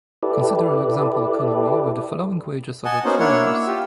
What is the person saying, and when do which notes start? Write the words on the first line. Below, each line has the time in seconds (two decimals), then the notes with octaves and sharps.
Consider an example economy with the following wages over three years.
0.23 E4 G4 A4 B4 D5
2.85 D#5 F#5 G#5 A5
3.05 A#3 B3 C#4 D#4 F#4 C5
3.19 A#3 D4 E4 C#5 F#5
3.46 E6
3.67 F4 G4